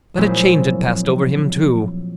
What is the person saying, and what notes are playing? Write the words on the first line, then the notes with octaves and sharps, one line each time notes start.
But a change had passed over him, too.
A#2 F3 F#3 G#3 C4 E4